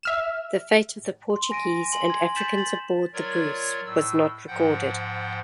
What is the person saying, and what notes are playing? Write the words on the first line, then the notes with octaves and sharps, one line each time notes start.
The fate of the Portuguese and Africans aboard the "Bruce" was not recorded.
E5 F6 E7
C6
G#5 A#6 D7 D#7
G#5 C6 F#7
G#6
G6 A6 B6 E7 F#7
A6 F#7
F#3 F4 A#4 C#5 D5 G#6
A2 E6
G#2 F3 F#5 G5 G6